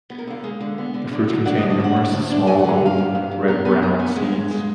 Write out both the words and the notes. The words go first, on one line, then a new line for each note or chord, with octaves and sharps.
The fruits contains numerous, small, golden red-brown seeds.
B3
A#4
D3 F5
G#3
D3
B3
D3
D3
F#3
D4 F#5
D#5
D2
D#5
D4 F#5
D2
D2
D4
F#3 G#5
F#5
D3
D2 F5
G#2
G#2
G#2
B3 A#5
B3 G#5
B3 A#5
B3 G#5
F#5
G#3
F5
G#3
G#3